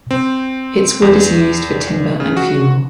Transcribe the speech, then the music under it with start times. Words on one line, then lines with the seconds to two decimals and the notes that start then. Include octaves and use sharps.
Its wood is used for timber and fuel.
0.11 C4
1.02 E2
2.20 C#3
2.37 F#4